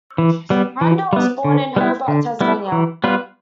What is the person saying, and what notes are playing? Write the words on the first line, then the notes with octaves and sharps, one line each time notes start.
Randell was born in Hobart, Tasmania.
E3
G3 B3
E3
G3 B3
D3
G3 B3 E4
D3
G3 B3 E4
E3
G3 B3 F4 B4